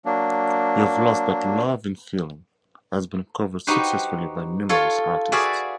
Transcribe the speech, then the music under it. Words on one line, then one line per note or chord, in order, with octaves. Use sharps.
"You've Lost That Lovin' Feelin'" has been covered successfully by numerous artists.
F#3 A#3 D4
D#4 F#4 G4 B4 C5
F4 A4 C#5 F5
F#4 G#4 B4 D5 E5 F5